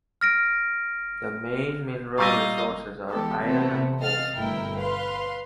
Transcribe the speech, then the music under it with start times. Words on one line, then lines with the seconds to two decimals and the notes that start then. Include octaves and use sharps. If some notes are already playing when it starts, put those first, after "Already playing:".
The main mineral resources are iron and coal.
0.21 F6 A#6 D7
2.18 A#2 G3 D#5 F5 G#5 C#6 E6 A#6
3.11 E3 G#3 B3 G4 A4
3.41 C3 E3 A3 B3 C4
4.00 D#5 F5 F6 A6
4.36 G1 B2 A3 E4 A#4 G5
4.80 B4 F5 C6